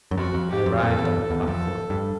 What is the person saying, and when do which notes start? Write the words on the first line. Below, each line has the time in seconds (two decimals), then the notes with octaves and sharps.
I arrived on the platform.
0.11 F#2
0.17 F2 F#4
0.34 F2
0.50 G4
0.66 F2
0.82 F2 A4
0.99 E2
1.30 E2
1.43 E2
1.47 F2 A4
1.90 G2